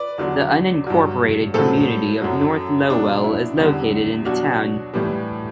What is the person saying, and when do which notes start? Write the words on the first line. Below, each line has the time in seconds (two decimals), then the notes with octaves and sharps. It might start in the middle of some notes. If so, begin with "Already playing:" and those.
The unincorporated community of North Lowell is located in the town.
Already playing: B4 D5
0.18 E2 D3 F#3
0.87 G2 F#3
1.54 A2 F#3 A4 C5
2.22 F#2 F#3
2.90 B2 F#3 D4
3.24 E4
3.57 E2 D3 G3
4.25 B2 F#3 D4 F#4
4.94 A2 E3 G3